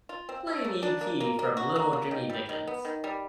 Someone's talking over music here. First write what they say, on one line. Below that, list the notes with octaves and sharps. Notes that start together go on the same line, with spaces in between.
Play an ep from Little Jimmy Dickens.
F4
C4
A3
A#3
D4
A#3
A#3
A#3
F#4
A#3
A#3
D#3
G3
D#3
B3
D#3
G3